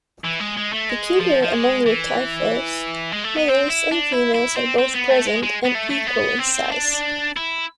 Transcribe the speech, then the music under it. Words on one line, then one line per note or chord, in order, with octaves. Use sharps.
Peculiar among rotifers, males and females are both present and equal in size.
E3
G#3
G#3
A3
G#3
F3
F3
G#3
E3
G#3
A3
B3
C4
E4
D4
E4
E4
C4
C4
B3
A3
G#3
G#3
B3
A3
A3
B3
C4
D4
E4